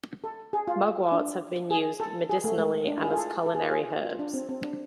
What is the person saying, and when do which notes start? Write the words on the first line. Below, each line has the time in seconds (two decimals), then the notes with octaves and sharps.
Mugworts have been used medicinally and as culinary herbs.
0.24 A4
0.53 G#4
0.68 F4
1.12 D4
1.70 G#4
2.00 A4
2.29 G#4
2.44 A3
2.58 G#3
2.87 D4
2.97 E4
3.02 G#4
3.07 F4
3.12 G#4
3.17 A4
3.46 A4
3.55 G#4
3.62 F4
3.71 G#4
4.05 F4
4.19 D4
4.34 C4
4.49 C4
4.63 D4